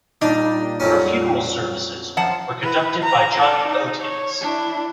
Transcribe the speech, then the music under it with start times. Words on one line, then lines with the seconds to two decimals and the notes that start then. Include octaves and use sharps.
Her funeral services were conducted by Johnny Otis.
0.22 A#2 G3 D4 D#4
0.80 F2 F#3 C#4
2.17 F#2 F3 F#5 A5
2.62 E4 B4
3.02 A#5
3.37 A4 D5
3.67 D#4
4.00 C#5
4.41 D4 E4